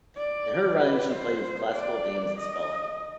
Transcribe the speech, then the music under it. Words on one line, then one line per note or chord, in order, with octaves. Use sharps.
In her writings she played with classical names and spelling.
D5
B4
C5
D5
D#5